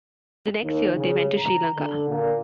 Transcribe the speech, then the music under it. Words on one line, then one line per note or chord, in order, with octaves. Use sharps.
The next year they went to Sri Lanka.
D#2
C#3
A#5
D3
A#2